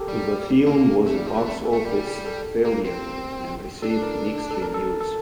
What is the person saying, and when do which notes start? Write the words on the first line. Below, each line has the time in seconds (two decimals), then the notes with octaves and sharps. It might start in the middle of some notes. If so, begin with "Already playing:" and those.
The film was a box office failure and received mixed reviews.
Already playing: G4 A4 A#4
0.08 G3
0.27 G4
0.66 A#3 A4
1.07 A3
1.16 G3
1.27 F3
1.36 E3
1.45 A3 A#4
1.65 A4
1.73 A3
1.85 G3
2.25 A4
2.65 A#3 G4
2.85 C4
3.82 D4 A4
4.03 A#4
4.51 A4
4.62 A#4
4.74 A4
5.01 A4